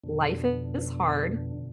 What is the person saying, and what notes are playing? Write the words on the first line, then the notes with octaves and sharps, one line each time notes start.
life is hard,
F2 B2 D3